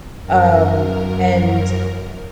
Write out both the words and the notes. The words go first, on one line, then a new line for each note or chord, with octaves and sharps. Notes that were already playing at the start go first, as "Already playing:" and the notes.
um, and
F#2 A#4